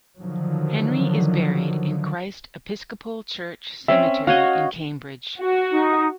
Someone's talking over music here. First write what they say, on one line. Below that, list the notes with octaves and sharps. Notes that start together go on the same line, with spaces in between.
Henry is buried in Christ Episcopal Church Cemetery in Cambridge.
D3 D#3 F3 F#3
C4 C#4 E5
F#4 C#5 D#5 F5
F#4
D#4